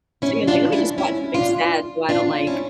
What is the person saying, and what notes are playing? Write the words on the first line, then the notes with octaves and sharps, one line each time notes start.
So, you're like, "Let me just watch something sad so I don't, like,
C#4 E4
D4 F4
C#4 E4
C#4 E4
D4 F4
D4 F4
C#4 E4